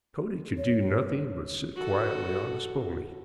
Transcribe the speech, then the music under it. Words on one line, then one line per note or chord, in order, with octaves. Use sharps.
Cody could do nothing but sit quietly on his pony.
C#5
F#4 A4